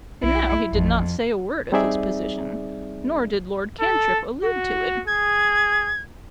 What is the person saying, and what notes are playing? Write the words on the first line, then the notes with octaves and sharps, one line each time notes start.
But now he did not say a word of his position, nor did Lord Cantrip allude to it.
B1 E4
A1 F2
G3 C4 D#4 G#4 D5 E5
A4
F#4
G#4 G#6